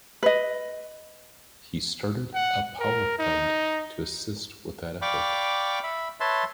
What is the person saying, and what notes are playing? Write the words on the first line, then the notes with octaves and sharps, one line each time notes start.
He started a "power fund" to assist with that effort.
B4 D#5
F#5
A#4
D#4
D5 F5 G5 B5 C#6 D6
E5 B5
B4 C#5 E5 A5 C6